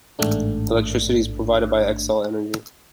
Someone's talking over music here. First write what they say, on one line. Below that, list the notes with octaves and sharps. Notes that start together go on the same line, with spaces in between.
Electricity is provided by Xcel Energy.
A1 G#2 A3 D4